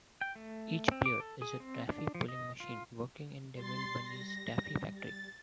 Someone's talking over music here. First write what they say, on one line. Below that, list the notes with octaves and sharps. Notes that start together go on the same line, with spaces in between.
Each player is a taffy pulling machine working in Devil Bunny's taffy factory.
G5
A3
C4
D6
A4
G#4
C4
D4
F3
D#5
F4
G3 C6 A6 C7
A#6
A6